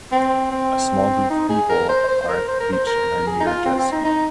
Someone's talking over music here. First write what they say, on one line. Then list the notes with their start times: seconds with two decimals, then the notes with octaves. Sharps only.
A small group of people are at the beach and are near a jet ski.
0.12 C4
0.52 C4
1.30 D#4
1.49 G#4
1.69 A#4
1.89 C5
2.08 C5
2.22 C5
2.28 A#4
2.48 C5
2.60 A#4
2.73 C5
2.87 A#4
3.27 G#4
3.40 D#4
3.47 F4
3.66 C4
3.79 C4
3.92 D#4
4.05 D#4